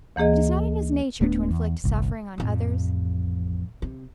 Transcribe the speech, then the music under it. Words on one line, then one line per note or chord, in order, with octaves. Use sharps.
It is not in his nature to inflict suffering on others.
D2 E3 A#3 G#4 D#5
D1 A3 B3 D4
E2
G1 C2
A1 F2
C3